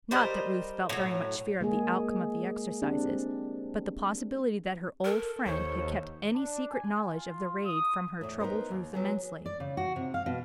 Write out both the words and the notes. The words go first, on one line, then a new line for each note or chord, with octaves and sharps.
Not that Ruth felt very much fear of the outcome of the exercises; but the possibility that her old friend had kept any secret knowledge of the raid from her troubled Ruth immensely.
G3 A#4 C5 D#5
A2 F#3
G#3 A#3 G#4
C4 D4 G4
A4 A#4
D#2 C5 C#5
D4
G#5
F4
D#6
E2 A2
B3 D#4 F4 A#4 C5
D#2
F#3 B3 G#4
D5
C#3
F#4
C3
F5
B2